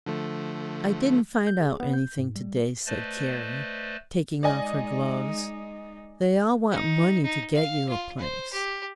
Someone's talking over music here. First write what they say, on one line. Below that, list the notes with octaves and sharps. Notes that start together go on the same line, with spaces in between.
"I didn't find out anything to-day," said Carrie, taking off her gloves. "They all want money to get you a place."
D3 F3 A3
G6
G#4
B3
G6
G#2
G3
A3 B4 C5 D5 D#5 A5
G#3 D#4 D5 D#5 G#5
D#4
D#4
F5
F4
C5
G4